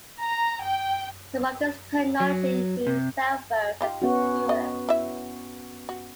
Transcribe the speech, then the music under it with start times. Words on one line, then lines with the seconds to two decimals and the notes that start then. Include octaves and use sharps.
Some of this technology includes cell phones and computers.
0.20 A#5
0.63 G5
2.20 F#3
2.87 C3
3.81 D#4 F4 G4
4.02 B3 C#4 F#4
4.49 D#5
4.89 E4 E5
5.89 F#4